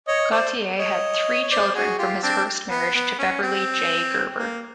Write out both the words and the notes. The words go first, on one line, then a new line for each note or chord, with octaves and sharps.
Gautier had three children from his first marriage to Beverly J. Gerber.
C#5 D#5
C5 D5
C#5 D#5
C#5
C5 D5
F#4 G#4
F4 G4
C4 D4
B3
B3
C#4
C4
A#3